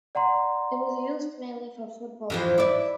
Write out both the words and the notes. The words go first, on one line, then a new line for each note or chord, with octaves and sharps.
It was used mainly for football matches.
D5 F#5 A#5 C6
F2 E3 F3
E4 D5